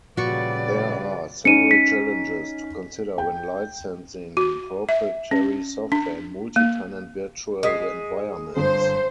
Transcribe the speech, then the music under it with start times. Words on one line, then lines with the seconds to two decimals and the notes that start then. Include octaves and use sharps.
There are several challenges to consider when licensing proprietary software in multi-tenant virtual environments.
0.17 A#2 C#3 F3 G3 F#4 B4 D5 C#6
1.45 C#4 D#4 C#7 D#7
1.71 B6
3.18 G5
4.37 F#4
4.89 E5
5.31 C#4
5.92 D4
6.56 A#3
7.63 G#3 D#6 B6 C7
8.57 G1 C5